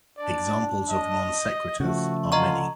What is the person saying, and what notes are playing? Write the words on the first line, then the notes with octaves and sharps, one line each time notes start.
Examples of non sequiturs are many.
D4 D5
D#5
C#3 F3 A3 F#4
D3 F4 D#5 A#5 C#6